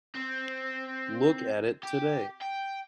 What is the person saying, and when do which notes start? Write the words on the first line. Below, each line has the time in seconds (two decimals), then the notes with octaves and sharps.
Look at it today.
0.15 C4
1.83 G4
2.41 G5